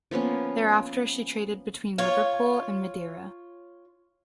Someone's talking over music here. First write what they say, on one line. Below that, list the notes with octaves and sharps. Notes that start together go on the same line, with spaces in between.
Thereafter she traded between Liverpool and Madeira.
F3 A#3 B3 C#4
F4 C#5